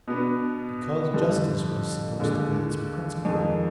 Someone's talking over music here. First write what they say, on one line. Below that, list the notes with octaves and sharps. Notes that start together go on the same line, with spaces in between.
Because justice was supposed to be its principle.
B2 B3 D4
F2 D3 G3
D#2 D3 G#3 D4
F2 D#3 G#3